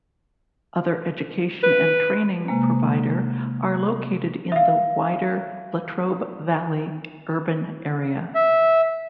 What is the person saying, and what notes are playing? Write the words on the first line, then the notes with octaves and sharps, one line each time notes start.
Other education and training provider are located in the wider Latrobe Valley urban area.
B4
C3 G#3 A#3
E5 F5
E5